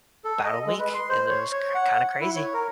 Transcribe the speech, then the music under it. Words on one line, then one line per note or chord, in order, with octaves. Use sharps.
'bout a week, it it was k kinda crazy.
A4
D#5
G#3
B4
C6
C5
C#5
C#5
F#5
E4
C#5
A#4